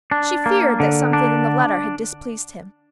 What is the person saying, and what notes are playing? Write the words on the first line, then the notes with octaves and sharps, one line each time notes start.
She feared that something in the letter had displeased him.
D4
A#3
D3
D4